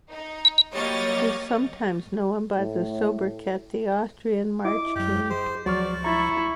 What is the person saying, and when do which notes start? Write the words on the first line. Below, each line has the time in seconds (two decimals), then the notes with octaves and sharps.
He is sometimes known by the sobriquet "The Austrian March King".
0.12 D#4
0.74 F#3 G3 A#3 C#5 D#5 A6
2.58 A2
4.65 E4 D#5 D6
4.96 F#2 F#3 G4
5.30 G#4 C5
5.66 C#2 F3 F#3 D5 C#6 F6
6.04 E4 A#5 C#6 A6